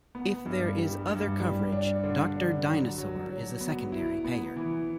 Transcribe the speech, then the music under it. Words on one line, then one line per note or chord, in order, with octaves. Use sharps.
If there is other coverage, Doctor Dynasaur is a secondary payer.
B3
G2
G3
G2
G3
D4
D3
D4
F#3
F#3
F#3
B3
E4
B3
E3